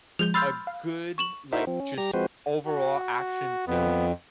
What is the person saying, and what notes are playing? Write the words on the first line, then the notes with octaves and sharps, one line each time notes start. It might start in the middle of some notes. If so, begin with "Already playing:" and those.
a good, like, just overall action film.
F3 G#3 G6 F7
B5 C6 E6 F6 G6 A6
F5
C#6 E7 F#7
D#4 E4 F#4 A#4 C5 E5
F3 C4
C#4
G3 G4 A#5 A#6
F3 G#3 C4 F#4 B4 C5
F#4
F2 B3